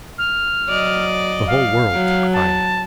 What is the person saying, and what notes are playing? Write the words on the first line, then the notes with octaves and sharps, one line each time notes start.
The whole world took fire.
F6
F#3 D5 D#5
F5
F#3
A5